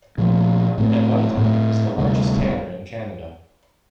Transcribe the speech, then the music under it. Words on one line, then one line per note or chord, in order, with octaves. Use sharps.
At one time, it was the largest tanner in Canada.
A#2 F3 A3
A2 A3 C4
A2 A3 C4
D2 C3 G3 D4